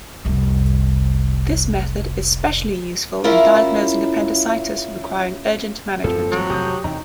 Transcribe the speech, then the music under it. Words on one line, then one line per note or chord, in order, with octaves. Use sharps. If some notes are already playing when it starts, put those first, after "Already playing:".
This method is specially useful in diagnosing appendicitis requiring urgent management.
F1 C2
C#4 E4 F4 A#4
F#2 F3 A3 C4 A4
G2 E3 F#3 G#3
F2 C3 G4 D#6 G6
E2 C3 E3 D#4 G5 A#5